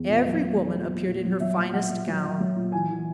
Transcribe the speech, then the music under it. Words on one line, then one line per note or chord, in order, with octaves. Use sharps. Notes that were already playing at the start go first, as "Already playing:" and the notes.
Every woman appeared in her finest gown.
Already playing: E2
A#2
F#3
A#2
F#3
A#2
A#2
A#2
F#3
F#3 E5
A#2
A#2 F#5
A#2
F#3
F#3
F#3
A#2
E3 G#5
E3